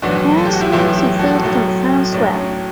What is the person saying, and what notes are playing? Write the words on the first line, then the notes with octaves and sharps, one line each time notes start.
Grasslands and fields can be found as well.
B1 A2 E3 D4 F#4
A4
G4
F#4
E4 G4
B1 A2 E3 E4 G4
E4 G4
F#4 A4
B1 A2 F#3 A3
B1 A2 F#3 A3 D4
C#4